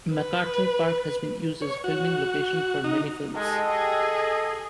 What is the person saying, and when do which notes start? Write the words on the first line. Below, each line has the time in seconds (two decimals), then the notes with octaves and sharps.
MacArthur Park has been used as a filming location for many films.
0.13 B4
1.62 C#5
1.84 F#4
2.84 D#4
3.35 G#3 G4 A4 D#5
3.70 G#4